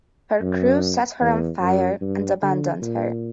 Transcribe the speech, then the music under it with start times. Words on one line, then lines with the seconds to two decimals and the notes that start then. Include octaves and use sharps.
Her crew set her on fire and abandoned her.
0.41 F#2
1.21 E2
1.61 F#2
2.02 G2
2.42 D3
2.82 A#2